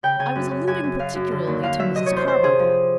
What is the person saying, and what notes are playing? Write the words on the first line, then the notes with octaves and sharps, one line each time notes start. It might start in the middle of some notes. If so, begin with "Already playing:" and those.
"I was alluding particularly to Mrs. Carbuncle."
C#3 G5
C#3 G#5
F#2
F#2
F#2 G#5
F#2
F#2 F5
F#2
D3
D#2
D3 F5
F#3 E5
C3 D#5
E2 C#5
C5
E2 C5
C3 G#4
F3